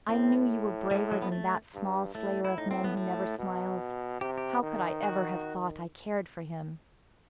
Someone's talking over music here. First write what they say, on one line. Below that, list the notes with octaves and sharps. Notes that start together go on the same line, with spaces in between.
"I knew you were braver than that small slayer of men who never smiles. How could I ever have thought I cared for him?"
A2 C4
A2 G3
F#3
B3
A3
G2
A2 A3
E4
A2 D#4
C4
B3
A3
B2
C3 G4
G4
D#3
F#4